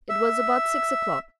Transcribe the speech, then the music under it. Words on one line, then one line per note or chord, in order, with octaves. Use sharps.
It was about six o'clock.
E5